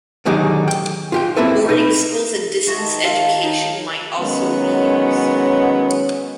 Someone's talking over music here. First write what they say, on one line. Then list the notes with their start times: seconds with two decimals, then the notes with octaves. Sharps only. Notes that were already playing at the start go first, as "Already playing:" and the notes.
Boarding schools and distance education might also be used.
0.26 D3 D#3 F#3 D#4 G4 G#4
0.68 G5
1.12 F4 G4 G5
1.36 A#3 C4 E4 A4 B4
1.69 D#4 B4
2.67 G#3 A3 F#4
2.78 D#3 A5
3.04 F4 E5 F5
3.43 D#4 C#5
4.19 D#3 F#3 G#3 B3 C#4